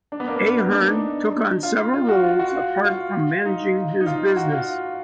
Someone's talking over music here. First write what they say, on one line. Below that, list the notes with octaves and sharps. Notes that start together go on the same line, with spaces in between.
Ahern took on several roles apart from managing his business.
D4
B3
A#3
B3
B3
D4
D#4
F4
F4
F#4
F4
F#4
F4
D#4
D#4
F4
F#4
F4